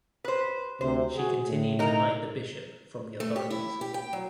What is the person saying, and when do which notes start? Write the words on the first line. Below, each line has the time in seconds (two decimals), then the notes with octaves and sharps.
She continued to hide the bishop from the authorities.
0.24 B4 C5
0.81 D2 C3 C5
1.15 F#4 G#4
1.44 A2
1.79 D#4 A#4
3.20 A3
3.36 G4
3.51 E4
3.81 G4
3.94 G5
4.13 F#3